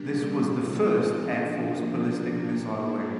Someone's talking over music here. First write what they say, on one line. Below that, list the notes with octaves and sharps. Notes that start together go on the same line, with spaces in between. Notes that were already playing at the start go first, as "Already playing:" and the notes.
This was the first Air Force ballistic missile wing.
Already playing: G3 A#3 D4 G4
F3 C4 D#4 A4
F3 A#3 D4